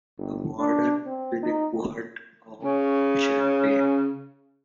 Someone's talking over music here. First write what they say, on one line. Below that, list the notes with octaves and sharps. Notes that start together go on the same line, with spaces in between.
The Warden with a quart of champagne.
G1
D4
C4
D#4
C#3 C#4